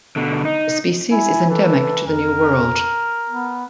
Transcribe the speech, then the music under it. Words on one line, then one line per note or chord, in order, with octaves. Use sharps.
The species is endemic to the New World.
B2 D3
D#4
E4 G#5
E3 A4
F2 A#4
B3